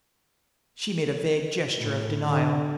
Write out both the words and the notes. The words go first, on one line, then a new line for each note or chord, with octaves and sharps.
She made a vague gesture of denial.
A2
D3